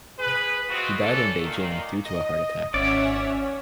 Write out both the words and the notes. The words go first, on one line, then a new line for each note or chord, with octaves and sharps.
He died in Beijing due to a heart attack.
G#4 B4
G#3 B3 C4 F4 F#4
E3 C#4 D4 A4
A#2 D#3 A#3
D#5
G#1 C#4 C#5 D5 E5 F#5